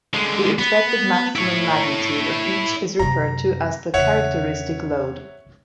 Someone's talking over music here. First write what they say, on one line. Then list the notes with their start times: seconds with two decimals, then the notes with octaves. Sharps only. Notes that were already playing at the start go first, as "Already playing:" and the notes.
The expected maximum magnitude of each is referred to as the characteristic load.
0.14 D3 G#3
0.59 B3
1.35 E4 C#5
2.99 F#2 C3 A#5
3.94 E2 C#3 C#5 E5 F#5